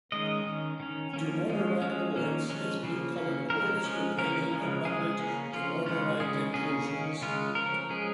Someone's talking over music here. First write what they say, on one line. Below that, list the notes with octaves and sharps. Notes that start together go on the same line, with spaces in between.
"Dumortierite quartz" is blue colored quartz containing abundant dumortierite inclusions.
D#3 G#3 C#4 D#5
D#3 C#4
D#3 C#4
F3 A#3 C#4
F3 G#3 C#4
F3 G#3 C#4
D#3 A#3 C#4
F3 G#3 C#4
C#3 F3 A#3
C#3 A#3 C#4
F3 G#3 C#4 A#4
F3 G#3 C#4
C#3 A#3 C#4 A#4
C#3 F3 G#3 C#4
F3 G#3 C#4 G#4
C#3 A#3 C#4
F3 A#3 C#4 F4
C#3 G#3 C#4 F4
C#3 G#3 C#4 G#4
C#3 A#3 C#4 G#4
D#3 C#4
C#3 G#3 C#4 F4
F3 C#4 A#4
F3 G#3 C#4 G#4